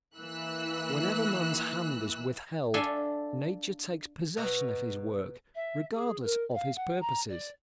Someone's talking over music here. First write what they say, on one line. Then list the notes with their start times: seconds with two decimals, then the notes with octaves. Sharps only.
Whenever man's hand is withheld, nature takes possession of his work, regardless of his purposes.
0.17 E3 A#3 E6 F#6
2.74 D4 F4 A4 E5 F5 G#5
4.37 B2 C#5 D#5 E5 A#5 B5
5.54 E5
5.94 G#4
6.23 A#4
6.54 F5
6.76 F#5
7.00 A#5
7.29 D5